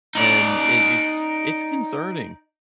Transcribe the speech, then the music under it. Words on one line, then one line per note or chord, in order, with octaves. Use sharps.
and it it's it's concerning,
D#4 D5